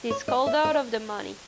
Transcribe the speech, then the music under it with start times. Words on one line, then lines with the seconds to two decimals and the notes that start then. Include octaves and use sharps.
This called out of the money.
0.10 C#5
0.28 D#5
0.46 E5
0.65 D#5